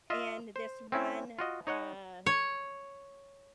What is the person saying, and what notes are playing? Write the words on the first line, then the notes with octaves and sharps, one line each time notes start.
in this one, uh,
F4 D#5 E5
C5
C4 C#4 E4
F4 F#4 D#5
D#4 C#5 D#5 F#5
C#5